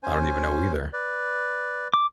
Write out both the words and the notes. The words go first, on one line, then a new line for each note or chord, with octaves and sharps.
I don't even know either.
C#4 C5 G#5
B4 D5
D6